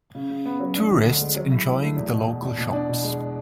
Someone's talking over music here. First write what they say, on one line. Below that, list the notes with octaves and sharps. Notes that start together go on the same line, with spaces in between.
Tourists enjoying the local shops.
C#3
C#3
B3
F#3
D4
D3
D2
G#3
F#3
E4
E4
A3
E2
B2
E2
E2
B2
D4
B2
G#3